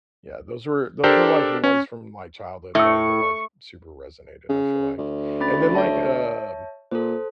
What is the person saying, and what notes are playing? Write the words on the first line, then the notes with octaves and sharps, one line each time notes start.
yeah, those were those were like the ones from my childhood though, that like super resonated, I feel like. And then like um
D4 G4 A4 A#4 C5
C#4
A2 E5 C#6 E6
C#3
D2
C#4 B5 A6
C#5 E5 A5
A#2 A4 C5